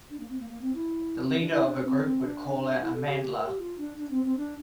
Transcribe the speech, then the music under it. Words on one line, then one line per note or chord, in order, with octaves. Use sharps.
The leader of a group would call out Amandla!
D4
A#3
C4
A#3
A#3
C4
E4
C4
D4
E4
D4
C4
C4
D4
E4
A4
G4
G4
A#4
G4
F4
D4
D4
C4
C4
D4